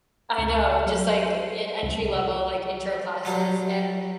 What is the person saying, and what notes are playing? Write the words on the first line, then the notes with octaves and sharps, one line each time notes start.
I know, it's just, like, an entry-level, like, intro classes and
C#2
F#3
A4
C7
C2
F#3 G3